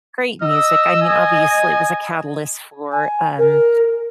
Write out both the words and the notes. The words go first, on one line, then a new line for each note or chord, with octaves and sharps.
great music, I mean, obviously, it was a catalyst for, um,
D#5 E6
G#5
G#5
A#4